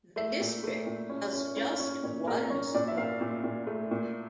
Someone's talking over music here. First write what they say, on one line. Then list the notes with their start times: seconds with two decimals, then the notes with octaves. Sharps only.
The district has just one school.
0.16 A3 E5
0.40 A#2
0.64 A3
0.87 A#2
1.10 C#4
1.33 C#4
1.57 C#4
1.80 C#4
2.03 A#2 C#5
2.28 A#2 A#4
2.50 C#4 C#5
2.74 A#2 D5
2.88 E5
2.97 A#2 F5
3.21 A#2
3.44 A#2
3.67 A3
3.91 A#2